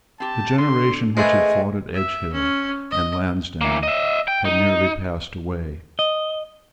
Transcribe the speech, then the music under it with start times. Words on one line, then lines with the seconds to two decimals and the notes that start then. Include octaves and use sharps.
The generation which had fought at Edgehill and Lansdowne had nearly passed away.
0.20 C4 G4 A5
0.58 D3 C6
1.17 G#3 A3 G#4 B4 C5 D#5 G#5
1.94 E5
2.33 C#4
2.91 D#5
3.61 E3 A#3
3.83 D#5 E5
4.28 G5
4.45 D#4
5.99 D#5